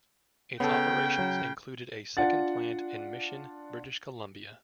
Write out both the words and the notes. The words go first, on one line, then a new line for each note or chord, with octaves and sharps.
Its operations included a second plant in Mission, British Columbia.
C#3 B3 A4 G5
F#3
D4 F4 F#5 A6